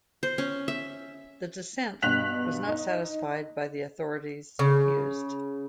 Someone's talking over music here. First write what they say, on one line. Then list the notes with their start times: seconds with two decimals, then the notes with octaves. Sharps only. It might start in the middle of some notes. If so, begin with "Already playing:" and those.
The dissent was not satisfied by the authorities used.
0.23 C5
0.38 C#4
0.68 E5
2.02 G2 B2 F#6 B6 F7 F#7
2.67 D#4
4.59 C#3